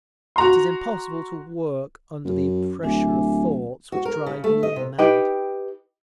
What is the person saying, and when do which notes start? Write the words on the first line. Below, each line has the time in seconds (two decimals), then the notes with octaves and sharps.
It is impossible to work under the pressure of thoughts which drive me mad!
0.36 F#4 A#5 C6
2.25 F#2
2.83 D1 D4 E5 G#5
3.92 F#4
4.05 A#4
4.26 C#3
4.44 A3
4.63 D#5
4.76 C3
4.98 D#4 G4 B4 G5